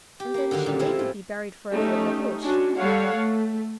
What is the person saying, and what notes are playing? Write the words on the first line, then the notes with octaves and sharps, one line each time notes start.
'And then she needn't be buried for ever in the Bush.
G4
A#3 B5
D3 D#3 F#3 A#3
A#2 G3
F3 G#3 C4 C#4 E4 E5
A2
A3 C#4 D#4 G4
C#4 D4 F#4
G3 A4 C#5 F5 F#5
A3